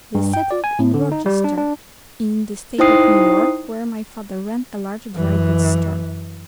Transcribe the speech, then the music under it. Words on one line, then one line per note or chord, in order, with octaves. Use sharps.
They settled in Rochester, in the State of New York, where my father ran a large dry goods store.
G2
G5
D5
G#5
A2
D3
D#4
G3
D4
D4
D#4 E4 C5 G5 D#6 C7
F#2 E3